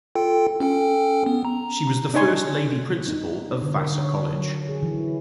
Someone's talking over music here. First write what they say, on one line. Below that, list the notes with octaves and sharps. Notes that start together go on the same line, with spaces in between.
She was the first Lady Principal of Vassar College.
F4 A4 G5
C#4 A4 G5
B3
A#5
D4 D#4 C#5 G#5 C6
D#4
D3
A#4
C#5
F#3
G#4
E3